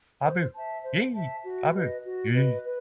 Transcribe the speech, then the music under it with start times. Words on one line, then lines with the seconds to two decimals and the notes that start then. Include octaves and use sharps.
Abu Ye Abu ye!
0.23 C5
0.54 E5 A5
0.84 C5
1.14 E5 A5
1.44 F#4
1.73 B4 D#5
2.03 F#4
2.34 B4 D#5
2.64 B4